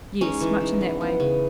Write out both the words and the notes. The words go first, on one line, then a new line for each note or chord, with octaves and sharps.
'Yes, much in that way.
G#3 C#4 D#4
E3
E3
B3
B3
C#3